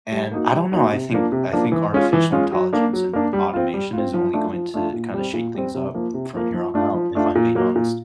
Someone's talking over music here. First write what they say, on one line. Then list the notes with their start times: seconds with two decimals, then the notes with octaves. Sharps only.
and I don't know, I think I think artificial intelligence and automation is only going to kinda shake things up from here on out, if I'm being honest.
0.12 G3
0.31 A#3 D#4 F#4
0.52 G3
0.72 A#3 D#4 F#4
0.93 C3
1.12 F3 A#3 D4
1.32 C3
1.53 F3 A#3 D4
1.72 E3
1.93 G#3 C#4 F4
2.13 E3
2.32 G#3 C#4 F4
2.53 F#3
2.73 A#3 D4
2.93 F#3
3.13 A#3 D4
3.33 G3
3.54 C4 F4
3.74 G3
3.93 C4 F4
4.14 F3
4.34 A3 D4 F4
4.53 F3
4.74 A3 D4 F4
4.94 A#2
5.14 G3 C4
5.34 A#2
5.54 G3 C4
5.74 C3
5.94 F3 A#3
6.14 C3
6.35 F3 A#3
6.54 F3
6.74 A3 D4 F4
6.94 F3
7.15 A3 D4 F4
7.35 A#2
7.55 F#3 A#3
7.76 A#2